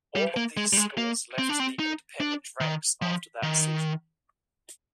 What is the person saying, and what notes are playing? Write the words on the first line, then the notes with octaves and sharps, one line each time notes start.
All of these schools left the independent ranks after that season.
G3
A#3
G#3
G3
G#3
A#3
C4
D4
C4
D#4
D4
D#3
F3
D#3